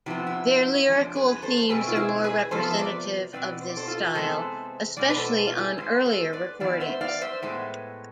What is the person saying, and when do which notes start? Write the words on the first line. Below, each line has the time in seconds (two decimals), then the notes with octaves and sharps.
Their lyrical themes are more representative of this style, especially on earlier recordings.
0.06 C3 F3 B3 E4
0.27 E4
0.47 E4
0.67 E4
0.88 E2 C3 F3 G#3 D4
1.15 G#4 B4
1.31 B4
1.42 A4 C5
1.69 B2 A3 C4 G#4 B4
1.88 F4
1.96 E4 G#4
2.24 G#4 B4
2.51 C3 F3 B3 A4 C5
2.71 E5
2.79 B4 D5
3.33 B2 G#3 C4 B4 D5
3.61 C5
3.69 D5
3.77 A4 C5
3.87 F4 A4
4.15 C3 E3 G#3 B3 A4 C5
4.97 B2 G#3 D5
5.10 B4
5.17 A4 C5
5.47 F4
5.58 E4 G#4
5.78 G#2 G#3 B3 C5
6.05 A4 C5
6.33 B4 D5
6.60 A2 E3 B3 D5 F5
6.80 C5 E5
7.01 D5 F5
7.21 C5 E5
7.42 A2 G#3 B3